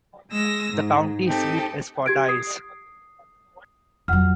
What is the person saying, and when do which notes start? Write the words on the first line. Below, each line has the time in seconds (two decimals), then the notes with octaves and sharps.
The county seat is Fordyce.
0.31 G#3 E6 A#6
0.73 G#2
1.26 C4 D#4 G4 A4
2.06 G4 G#6 D7
2.28 D#6 C7
4.08 F2 F#3 F#5 F6